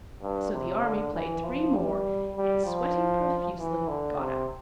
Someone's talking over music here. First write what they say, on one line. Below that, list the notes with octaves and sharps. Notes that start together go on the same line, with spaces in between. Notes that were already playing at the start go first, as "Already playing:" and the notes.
So the Army played three more, and, sweating profusely, got out.
G2
C3
D3
E3
F3
G3
G3
F3
E3
D3
C3